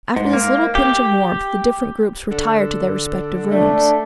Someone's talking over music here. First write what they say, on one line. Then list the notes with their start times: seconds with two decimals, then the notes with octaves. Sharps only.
After this little pinch of warmth the different groups retired to their respective rooms.
0.16 G#2
0.33 A#3
0.75 G4
2.31 D3
3.51 A3 D4